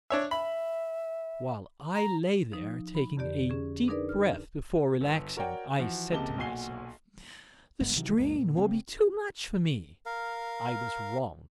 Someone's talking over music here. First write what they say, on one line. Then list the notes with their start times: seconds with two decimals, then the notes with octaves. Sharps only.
While I lay there, taking a deep breath before relaxing, I said to myself, "The strain will be too much for me." I was wrong.
0.10 D4 C#5 E5
0.31 E5 B5
1.95 A#5
2.52 F3 D#4
2.95 B5
3.17 F2 D3 G4 D5
3.50 C#4 G#4
3.88 D4 D#4 G#4 A#4 B4 D5
4.09 F6
5.01 G1
5.37 F#4 A#4 C#5 D5 F#5 G5
5.79 E3 F3 F#4
6.12 C#2 C3 A#3 G4 A5 G7
6.38 B1 A#2 F#4 G#5 C7 G7
7.81 F#1 G2 G#3 B3
7.96 C3 D#3 E3 F#3
8.17 C#2 F#2 G#3 A#3
8.35 A#2
8.57 C#3 A#3 C4
10.06 A#4 F5